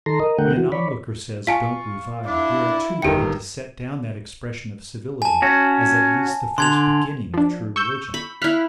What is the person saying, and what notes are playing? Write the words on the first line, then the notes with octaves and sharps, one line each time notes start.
When an onlooker says 'Don't revile,' we are too ready to set down that expression of civility as at least the first beginning of true religion.
D#3 A4 A#5 C6
A#4 D#5
D3 A3 A#4 F#5 G5
E3 F#4
C#5 D5 B5
F4 G#5 A5 C#6 B6
D3 D4 E4 D5
G1 D#3 G4 A#4 G5 C#7
G#5 A5
C#4 F#4
D3 C6 G#6 F7
F3 D4
C#6 E6 G6
B5
E4 F5 F6 F#6 B6